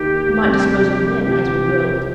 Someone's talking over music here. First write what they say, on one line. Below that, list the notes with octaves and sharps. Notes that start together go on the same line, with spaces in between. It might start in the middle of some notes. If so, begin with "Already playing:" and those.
We might dispose of them as we willed.
Already playing: D#2 D#3 A#3 D#4 G4
C3 G3 D4
C2 C3 F3 G4
G4